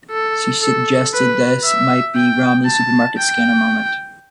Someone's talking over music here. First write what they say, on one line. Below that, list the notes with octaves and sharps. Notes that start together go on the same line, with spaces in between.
She suggested this might be Romney's supermarket scanner moment.
A4
A4
B4
E5
G5
A5
G5